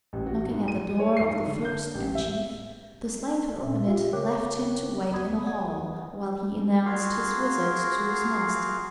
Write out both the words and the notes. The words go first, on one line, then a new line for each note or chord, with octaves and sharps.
Knocking at the door of the first and chief, the slave who opened it left him to wait in a hall while he announced his visit to his master.
A1
F#4
G#2
D#7
C#5
C7
G#2
D3
G6
A1
E5
A#2 C#4 E5
F4 G4 E5 F5
C#3 A#4 C#5 G5 D6 F#6
D2 B3 D5 B5 D#6 G#6
F#5 D#6 G#6
F4 F#4 G#4 A#4 F5